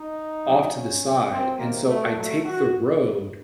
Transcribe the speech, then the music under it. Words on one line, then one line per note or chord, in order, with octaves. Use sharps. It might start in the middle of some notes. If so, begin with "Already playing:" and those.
off to the side, and so I take the road,
Already playing: D#4
C3 F#3
C#4
A#2 F#3
C4
C3 D#3 F#3 A#3
A3
A#2 F#3 A3
F#4